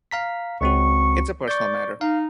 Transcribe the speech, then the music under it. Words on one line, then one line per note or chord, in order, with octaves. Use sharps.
It's a personal matter.
F5 A#5 B6
C#2 C4 F#4 C#6
D5 C#6 G6
D#4 F5